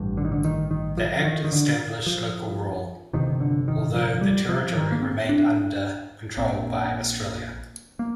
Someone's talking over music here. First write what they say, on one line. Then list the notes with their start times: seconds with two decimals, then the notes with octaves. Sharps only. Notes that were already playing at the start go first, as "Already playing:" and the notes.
The Act established local rule, although the territory remained under control by Australia.
Already playing: A1 G2
0.17 D3
0.25 D#3
0.32 D3
0.45 D#3
0.71 D#3
0.97 F3
1.25 D#3
1.44 D#3
1.52 D3
2.06 F3
3.13 G1 F2 C3 D#3
3.40 D3
3.68 D#3
3.95 F3
4.21 G3
4.49 F3
4.75 D#3
4.92 A#3
5.03 C4
5.29 D4
6.37 A#1 A#2 C4
7.99 A#3